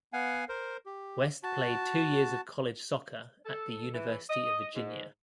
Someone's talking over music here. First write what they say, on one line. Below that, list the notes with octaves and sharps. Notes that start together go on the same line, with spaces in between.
West played two years of college soccer at the University of Virginia.
B3 F5 F#5 G#5
A#4 C5
G4
F#4 A5
A4
E3
D#5
G#2